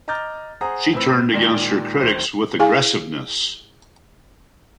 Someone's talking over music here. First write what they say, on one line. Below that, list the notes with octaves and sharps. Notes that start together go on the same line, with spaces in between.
She turned against her critics with aggressiveness.
D#5 A#5 D6 F6 G6 A6
G#4 C5 F#5 A#5 D#6
A2 C4 B4 B5 E6
A#2 D#3 G#3 D5 A#6 E7
D1 D#3 C5
E4 G#4 F5 G#5